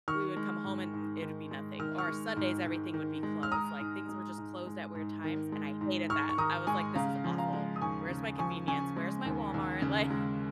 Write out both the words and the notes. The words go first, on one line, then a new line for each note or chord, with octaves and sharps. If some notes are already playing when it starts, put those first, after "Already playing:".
we would come home and it would be nothing, or Sundays, everything would be closed, like things were just closed at weird times, and I hated that, I was like, "This is awful. Where's my convenience? Where's my Walmart?" Like
D#3 C#6 F6
G#3
G#2
G#2
D#3
G#3
D#3 F6
C#6 F6
G#3
G#2
G#2
D#3
G#3
F6
G#3 A#5 D#6
G#2
G#3
G#2
G#3
G#2
D#3
G#3
G#2
G#2 C#6 F6
C#6
D#3 A#5 D#6
G#3 G#5 C#6
C#3 F5 A#5
F3
F5 A#5
G#3
D#6
D#2 G#5 C#6
C#3
F3 G#5 C#6
C#3 G#5 C#6
G#3
D#2
D#2
C#3
G#3